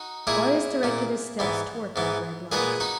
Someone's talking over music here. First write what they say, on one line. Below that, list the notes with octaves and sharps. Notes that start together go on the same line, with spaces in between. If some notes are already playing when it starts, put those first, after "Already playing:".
Marius directed his steps towards that red light.
Already playing: D#4 F#4
A#2 A#3 E4 G#4
A#2 A#3
G#2 E3 B3
G#2 E3 B3
A#2 G#3 B3 G#4 B4
D#4 F#4